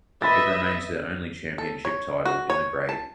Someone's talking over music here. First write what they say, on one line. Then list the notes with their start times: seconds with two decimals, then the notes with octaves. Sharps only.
It remains their only championship title in the grade.
0.22 B4 D#5 E5 B5 A6
1.58 A4
1.85 C#5
2.25 F#4
2.50 C#5
2.89 A5